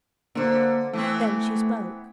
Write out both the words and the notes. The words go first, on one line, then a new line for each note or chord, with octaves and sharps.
Then she spoke.
D3 A#3 F4 C5
E3 A3 B3 C4